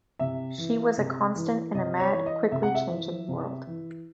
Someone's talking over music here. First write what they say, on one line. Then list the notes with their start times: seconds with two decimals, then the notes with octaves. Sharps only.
She was a constant in a mad, quickly changing world.
0.19 C3 E5
0.58 E3
0.98 C3
1.36 E3
1.75 C3 D#5
2.00 C#5
2.13 E3
2.26 D#5
2.52 C3 E5
2.63 F#5
2.75 E5
2.90 E3
3.28 C3
3.67 E3